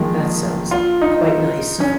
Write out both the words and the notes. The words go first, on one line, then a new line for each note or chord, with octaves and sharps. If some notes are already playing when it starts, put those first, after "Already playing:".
That sounds quite nice.
Already playing: D#3 F3 G#3 A#3
F4
D#4
C#4